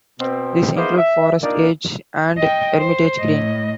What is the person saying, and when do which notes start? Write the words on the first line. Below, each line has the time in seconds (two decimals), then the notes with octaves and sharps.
These include Forest Edge and Hermitage Green.
0.20 B2 C4
0.76 A#3 B3 D#4 E4 G#4 C5
0.98 E5
1.42 A#2 A#3 D4 D#4 A#4 D5
2.37 D#5 G5
2.79 C5
3.19 A2 D#5